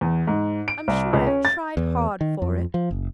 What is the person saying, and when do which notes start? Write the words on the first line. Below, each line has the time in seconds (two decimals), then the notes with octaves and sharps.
I'm sure I have tried hard for it.'
0.01 E2
0.27 G#2
0.68 D7
0.88 C2
1.13 C#2
1.26 C#4
1.45 A6
1.77 E2
2.21 D#3
2.42 F2
2.74 F3
2.91 F#1